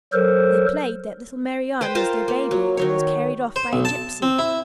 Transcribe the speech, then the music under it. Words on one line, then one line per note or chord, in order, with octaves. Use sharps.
They played that little Marianne was their baby, and was carried off by a gypsy.
F#3 A4 A#4 C5
B4 C5 G5 C6
F4 A#4 C5 A5
A#3
F#3
D#3 F#3 C#5
C5
B1
A5
C4
E4